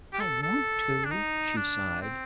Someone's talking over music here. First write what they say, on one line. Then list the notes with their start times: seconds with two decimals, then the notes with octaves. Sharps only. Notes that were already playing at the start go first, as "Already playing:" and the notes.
"I want to," she sighed.
0.13 G4
0.20 A4
0.43 A4
1.05 D4
1.11 D#4
1.56 D4
2.02 C4